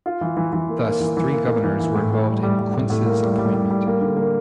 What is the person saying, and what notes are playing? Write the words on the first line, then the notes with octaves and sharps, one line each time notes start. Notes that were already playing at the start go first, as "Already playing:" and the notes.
Thus, three Governors were involved in Quince's appointment.
F4
E3
E3
E3
A#3
A#3
E3
E3
A#3
A#3
E3
E3
A2
A2
G3
G3
G3
A2
A2
A#3
G3
G3
G3
G3
A#3
D3
A#3